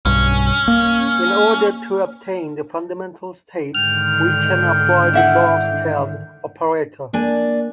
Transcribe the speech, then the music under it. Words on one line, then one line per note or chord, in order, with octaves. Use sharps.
In order to obtain the fundamental state, we can apply the down stairs operator.
B1 G2 C#4
A#3
G#2 D3 D#3 G5 F6
E4 E5 F#5
A#3 D4 D5 G#5